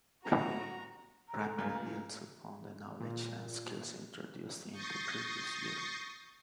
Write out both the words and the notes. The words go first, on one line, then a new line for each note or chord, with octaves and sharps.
Pre-Primary builds upon the knowledge and skills introduced in the previous year.
G1 F#4 A#5
A#5
A4 G#5
C#2 A#2 A3 F6
A#2
C#6 D#6 G6 A6 A#6 C7